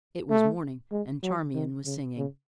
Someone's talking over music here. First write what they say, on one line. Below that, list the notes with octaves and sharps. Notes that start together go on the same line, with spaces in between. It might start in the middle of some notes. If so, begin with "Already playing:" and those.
It was morning, and Charmian was singing.
A3
G#3
F#3
D#3
C#3
C#3